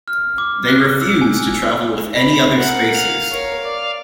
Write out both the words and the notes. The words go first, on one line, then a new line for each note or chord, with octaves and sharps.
They refuse to travel with any other spacers.
F6
D6
F#6
E6
G#5
B5
A#4 F#5
F5
A#4 C#5
D5